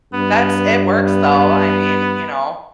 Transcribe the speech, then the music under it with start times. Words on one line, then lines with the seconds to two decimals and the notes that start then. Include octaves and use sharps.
That's it works, though, I mean, you know,
0.13 G2 B3
1.05 B3